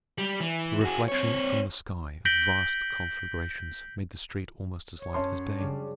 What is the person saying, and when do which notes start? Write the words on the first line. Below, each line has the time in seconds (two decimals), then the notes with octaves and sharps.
The reflection from the sky of vast conflagrations made the street almost as light as day.
0.18 G3
0.41 E3
0.81 F#4 G#4
1.08 C4 C#5
2.25 G6 A#6 B6 D7 F#7 G7
5.00 C#5
5.14 F#2 C#4 A5 C6
5.59 C#3 G3 D4